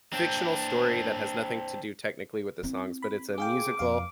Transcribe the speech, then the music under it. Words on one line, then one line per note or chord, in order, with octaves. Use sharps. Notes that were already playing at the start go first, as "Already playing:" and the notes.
fictional story that has nothing to do technically with the songs, but it's a musical,
C4 D4
C4 E4
B5
G#4 F5 G5 D6
F2 F5